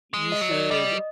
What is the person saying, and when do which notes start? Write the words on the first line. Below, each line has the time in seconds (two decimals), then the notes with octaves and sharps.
you should
0.14 G#3
0.32 D#5
0.41 F#3
0.51 D5
0.71 G3 D#5